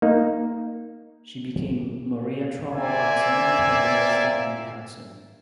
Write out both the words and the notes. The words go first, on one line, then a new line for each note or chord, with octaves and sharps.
She became Maria Trumbull Hudson with her marriage to Henry Hudson.
A#3 D#4
A#3 C4 D5 E5 G#5